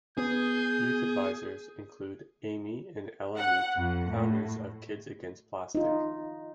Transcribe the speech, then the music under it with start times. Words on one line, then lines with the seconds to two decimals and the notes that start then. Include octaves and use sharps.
Youth Advisors include Amy and Ella Meek founders of Kids Against Plastic.
0.18 B3 G#4 G6
3.37 F#5
3.76 F2
4.10 A2
5.75 D#4 F4